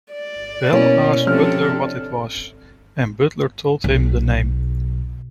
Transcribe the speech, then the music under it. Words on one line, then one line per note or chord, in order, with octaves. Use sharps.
Bell asked Butler what it was, and Butler told him the name.
D5
B2 A#3 C#4 E4
C3 F3 C#4 D4 A4 F6
B1